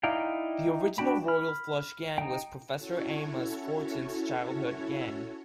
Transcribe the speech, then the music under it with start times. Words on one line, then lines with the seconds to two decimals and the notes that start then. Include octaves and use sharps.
The original Royal Flush Gang was Professor Amos Fortune's childhood gang.
0.03 D#4 E4 D5 F5 G5
0.98 D4 F#4 G5 B5
1.28 B5 F6
2.18 D#4 G5
2.77 C#4 E4 F#4 A4 C#5